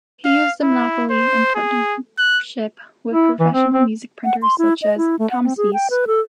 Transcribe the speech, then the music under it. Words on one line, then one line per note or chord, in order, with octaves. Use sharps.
He used the monopoly in partnership with professional music printers such as Thomas East.
F5
E4
C5
G#4
F#6
E4
E3
C4
C4
F#5
C6
E4
D#5
E4
A3
F#5
C4
G#4
G5
B4
A4